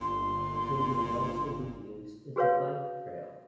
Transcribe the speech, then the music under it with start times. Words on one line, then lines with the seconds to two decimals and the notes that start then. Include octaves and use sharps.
It may also be used as a bike trail.
0.01 G1 A#2 C6
2.36 F#4 G#4 B4 C#5 F5